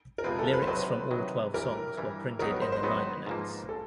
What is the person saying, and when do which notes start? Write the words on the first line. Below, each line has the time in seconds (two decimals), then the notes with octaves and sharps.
Lyrics from all twelve songs were printed in the liner notes.
0.18 A#4
0.24 F2 C3 F3 G#3 C4 B4
0.39 A4
0.53 B4
0.62 C5
0.67 C3 D#3 F#3 B4
1.11 C3 D#3 F#3
1.54 G2 E3 G3 A#4
1.97 G2 E3 G3
2.39 D#3 F#3 B3 D#4 A#4
2.51 B4
2.62 C5
2.72 C5
2.83 D#3 F#3 B3 D#4 B4
3.26 G#2 F3 A#3
3.69 A4